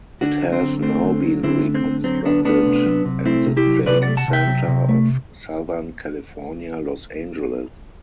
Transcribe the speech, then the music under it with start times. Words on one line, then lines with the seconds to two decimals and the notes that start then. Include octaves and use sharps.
It has now been reconstructed at the Jain Center of Southern California, Los Angeles.
0.21 D3 D4 F#4
0.41 F#3
0.52 C4
0.62 D3
0.82 A3 C4
1.03 D3
1.23 F#3
1.43 D3 C4 E4
1.64 A3
1.74 C4
1.85 D3
2.04 F#3 C4
2.25 D3 B3 D4
2.45 A3 B3 D4
2.66 C3
2.86 F#3
3.05 C3
3.25 A3 C4 E4
3.47 C3
3.57 E4 G4
3.67 F#3
3.86 C3 B4 D5
4.02 D5 F#5
4.08 A3
4.17 F#5 A5
4.28 C3
4.33 E5 G5
4.47 F#3
4.68 C3
4.88 A3